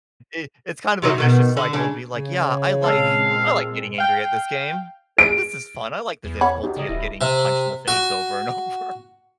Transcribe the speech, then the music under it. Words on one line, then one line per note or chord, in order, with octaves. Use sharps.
i it's kind of a vicious cycle to be like, "Yeah. I like I like getting angry at this game. Th this is fun. I like the difficulty of getting punched in the face over and over."
C3 F#3 D#4
B2 D#3
D3
C#3 D4
C#3
A#2 G#3 C4 A4 F5
F5 G5
D7
E2
C#5 F#5 B5
D#4 F#4 G4
C#3 A4 D5 D#5
D1 E4
C3
F#4